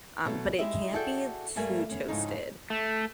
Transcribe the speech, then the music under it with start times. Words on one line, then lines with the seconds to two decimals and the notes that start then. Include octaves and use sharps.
um, but it can't be too toasted,
0.25 B2 F#3 A3
0.59 G#3 D#4 E4 G4 E5
0.93 F#4 G#4 A4 D5 D#5 G5
1.56 G2 G3 A3 A#3 G#5
1.91 B3 C#4
2.08 F2 G#2 C#3 A3 D#4
2.70 A3